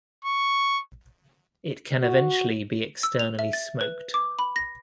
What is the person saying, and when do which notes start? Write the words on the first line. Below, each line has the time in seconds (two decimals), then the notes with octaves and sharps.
It can eventually be externally smoked.
0.24 C#6
2.02 F#4
3.03 E6
3.19 F7
3.39 E5
3.53 A6
3.81 B4
4.14 D6
4.39 B5
4.56 A#6